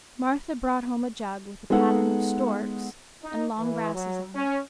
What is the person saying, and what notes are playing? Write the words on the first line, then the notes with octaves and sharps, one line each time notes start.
Martha brought home a jug with a pattern of storks and long grasses on it.
G#3 B3 D#4 A4 F#5
D#4
E3
F#3
C#4